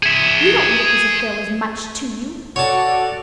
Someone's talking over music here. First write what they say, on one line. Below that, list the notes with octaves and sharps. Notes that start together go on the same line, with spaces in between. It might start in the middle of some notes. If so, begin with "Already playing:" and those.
You don't look as if there was much to you.
G#4 E5
F#4 A4 C#5 D5 F#5 A5